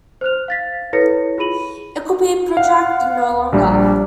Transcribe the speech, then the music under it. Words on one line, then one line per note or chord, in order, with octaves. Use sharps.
It could be protracted no longer.
C5 F6 F#6 F7
F5 A6 B6
E4 A4 B4 C#5 A#6 C#7
F4 G#4 B5 D#7 F#7
F5 F#5
A#1 G3 D4